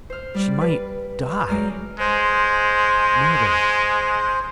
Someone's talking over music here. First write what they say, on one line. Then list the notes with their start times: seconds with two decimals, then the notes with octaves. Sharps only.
She might die ... murdered....
0.10 C5 F6
0.34 G3 D5
0.61 B4
1.48 F#2 G#3 D5 A#5 F6
2.00 G#3 C5